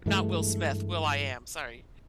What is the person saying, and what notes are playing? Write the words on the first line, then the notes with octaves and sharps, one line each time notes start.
not Will Smith, will.I.am, sorry.
G2 E3 G#3 A3